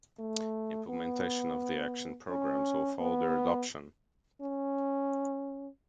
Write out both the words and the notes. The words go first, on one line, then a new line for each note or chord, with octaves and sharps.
Implementation of the action programmes will follow their adoption.
A3
B3
C#4
B3
C#4